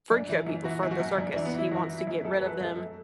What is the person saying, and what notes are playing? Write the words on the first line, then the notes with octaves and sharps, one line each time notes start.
Freak Show people for the circus. He wants to get rid of them,
F#2 D4
E3
F#2
E3 F#4
F#2
F#4
F#2
F#2 D4
E3 D4
B3
E3 E4
F#2 F#4
E3
E4
F#2
F#2 A4
B4
F#3 A4
B4
F#2 A4
F#2